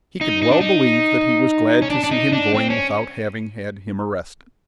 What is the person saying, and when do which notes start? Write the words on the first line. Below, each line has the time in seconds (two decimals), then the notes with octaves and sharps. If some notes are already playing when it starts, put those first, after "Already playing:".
He could well believe that he was glad to see him going without having had him arrested.
0.21 D#4
0.42 D#4
0.51 D4
0.61 D#4
1.82 C#4
1.90 D4
2.04 D4
2.11 D#4
2.33 D4
2.54 C4
2.70 C#4